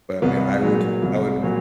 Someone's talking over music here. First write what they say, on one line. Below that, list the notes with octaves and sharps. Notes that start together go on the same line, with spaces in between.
But, I mean, I would l I would
C2 B3
A#2 F#3
C2
A#2 F#3